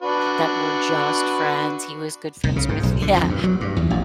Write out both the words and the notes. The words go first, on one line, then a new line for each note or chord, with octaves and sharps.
that we're just friends he was good friends with Yeah,
D4 F#4 B4
C2
C#3
G#2
B1
D3
F2
G2
F#3
G2
E2
A1